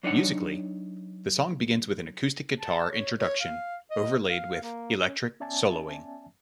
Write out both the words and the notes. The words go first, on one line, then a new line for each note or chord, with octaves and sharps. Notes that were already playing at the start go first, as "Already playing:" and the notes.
Musically, the song begins with an acoustic guitar introduction overlaid with electric soloing.
F#3 D4 D#4 C#5 F#5
A5
C#5
C#5
F5
D#5
F5
A#3
C#4
B3 C#4 D5 E5 G#5 A5